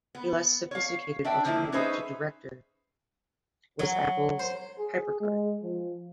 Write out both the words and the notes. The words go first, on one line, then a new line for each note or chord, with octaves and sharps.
A less-sophisticated alternative to Director was Apple's HyperCard.
B3
C#5 F5
D4 E5 G5
D3 F3 G3 A#3 E4
C#4 D#4 G#4 B4 C5 E5
F#3
C5
G#4
G#3
F3